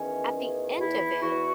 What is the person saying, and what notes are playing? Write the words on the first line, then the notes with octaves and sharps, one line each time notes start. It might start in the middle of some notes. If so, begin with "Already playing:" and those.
at the end of it,
Already playing: E2 D#3 C#4
E2
E2 E4
E2 F#4